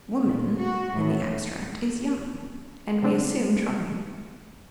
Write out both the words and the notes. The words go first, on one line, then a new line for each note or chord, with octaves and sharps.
"Woman" in the abstract is young, and, we assume, charming.
A#2
F#4
A2
C#3 F#3 G3 C4 D4